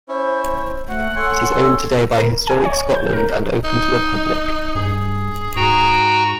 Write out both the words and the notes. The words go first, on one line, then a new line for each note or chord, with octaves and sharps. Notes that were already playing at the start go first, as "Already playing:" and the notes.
It is owned today by Historic Scotland and open to the public.
C#4 E4 C5
A3 F#4 F#5
A4 C#5 G#5 C6
A4
A#4
G#5
C#5
G6
A#4
D#4
G2 G#4
G#2 F#4 G5 A#5